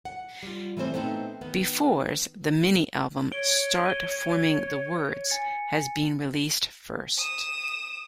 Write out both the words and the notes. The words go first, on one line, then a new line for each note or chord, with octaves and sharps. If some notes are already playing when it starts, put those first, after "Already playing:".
Befores, the Mini Album "Start Forming The Words" has been released first.
F#5
G3 F4
E3 G3 A3 C4 C5
A3 B3 C4 D4 D#4
D#3 B3 D#4
C#5 D7 G7
D#7 G7
G#5 A6 C#7
D#6 E7